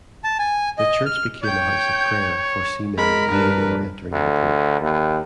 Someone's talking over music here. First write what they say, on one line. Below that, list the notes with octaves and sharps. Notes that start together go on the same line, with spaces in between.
The church became a house of prayer for seamen leaving or entering the port.
A5
G#5
D#5
F6
C#5 G5 G6
G#3 A#4 B5
G2 G3 B4 A5
D2
D#2